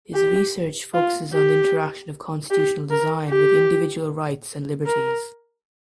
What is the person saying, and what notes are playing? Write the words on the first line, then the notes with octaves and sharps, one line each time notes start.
His research focuses on the interaction of constitutional design with individual rights and liberties.
G4
F4
G4
G4
A#4
G4
A#4